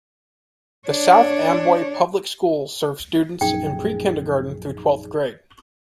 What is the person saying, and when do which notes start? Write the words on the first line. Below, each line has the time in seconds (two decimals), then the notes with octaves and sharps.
The South Amboy Public Schools serve students in pre-kindergarten through twelfth grade.
0.88 D4 C#5
3.41 A#1 F#2 D#4 G#4 G5